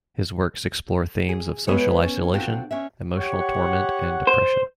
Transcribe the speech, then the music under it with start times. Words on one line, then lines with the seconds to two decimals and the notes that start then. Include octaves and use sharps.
His works explore themes of social isolation, emotional torment and depression.
1.29 G#4
1.67 G#3 B3 F#4 A4 B4 C#5
2.02 C#4
2.34 C4 D4 F4 F#4 A4
2.71 C#4 D4 E5
3.18 G4 C#5 F#5
4.27 C5